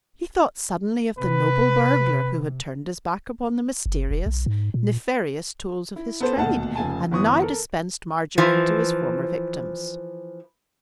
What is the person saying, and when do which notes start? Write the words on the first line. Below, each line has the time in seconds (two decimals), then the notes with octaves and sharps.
He thought suddenly of the noble burglar who had turned his back upon the mysterious, nefarious tools of his trade and now dispensed margarine to his former victims.
1.18 C3 B4
3.86 F#1
4.11 E1
4.26 B1
4.46 G#2
4.74 A#2
5.96 E4
6.20 B3 A4 C5
6.36 D#1 D2 B2 F#5 A5
6.75 F1 C#3 G#5 A5
7.11 G1 E3 C#6 D#6
7.42 A4 A#4
8.38 E3 F3